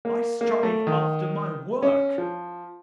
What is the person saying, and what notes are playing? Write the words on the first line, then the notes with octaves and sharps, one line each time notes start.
I strive after my WORK!
A#3
A#3
A3
D#3
C#4
F3